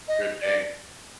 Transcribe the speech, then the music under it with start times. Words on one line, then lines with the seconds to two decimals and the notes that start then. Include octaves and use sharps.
good game.
0.08 D#5
0.42 D5